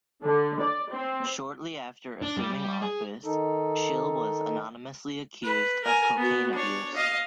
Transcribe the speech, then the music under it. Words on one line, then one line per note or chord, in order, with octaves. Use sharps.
Shortly after assuming office, Schill was anonymously accused of cocaine abuse.
D3
D5
C4
D4
G3
G3
G#4
D#3 D#4 A4
B4
A#4 G#5
B3 F#4
D4 C#5
D#5 F5